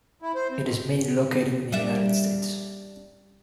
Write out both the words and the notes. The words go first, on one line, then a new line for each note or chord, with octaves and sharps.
It is mainly located in the United States.
E4
C5
C4
D#3
G3 D4 E5